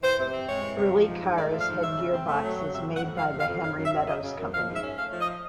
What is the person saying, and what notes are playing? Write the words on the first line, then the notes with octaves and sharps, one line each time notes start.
Early cars had gearboxes made by the Henry Meadows company.
E3 C5
C3
C4
G#3 C#5
E3
C3
F3
G#2
G#2
A3 D5
F3
F5
G#2
F#3 E5
C#3
C4
A3
F#3
C#3
C3 E5
F2
F#5
F2
F3 F5
C3
F5
F2
C#3 F5
F#2
E5
F#2
F#3 D#5
C#3
F#2
F3 F5
G#2
E5
C#4
A3 F5
F3
D#5